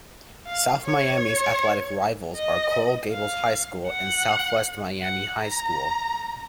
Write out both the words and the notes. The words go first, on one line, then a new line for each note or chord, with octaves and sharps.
South Miami's athletic rivals are Coral Gables High School and Southwest Miami High School.
F5
C#5
D#5
F5
F#5
F#5
A#5